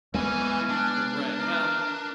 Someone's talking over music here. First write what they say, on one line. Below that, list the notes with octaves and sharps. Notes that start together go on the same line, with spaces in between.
Right, well
G#3 B3 C#4 E4 G#5
D4
A#4